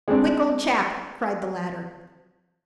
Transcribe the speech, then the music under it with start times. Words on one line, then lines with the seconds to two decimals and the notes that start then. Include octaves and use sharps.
"Quick, old chap!" cried the latter.
0.08 G#3 C4 D4